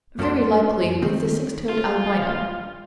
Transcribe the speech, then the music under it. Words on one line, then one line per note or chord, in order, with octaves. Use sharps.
Very likely it's the six-toed albino.
F#2 C#4 E4 A#4 A5 C6
D#3 C4
F4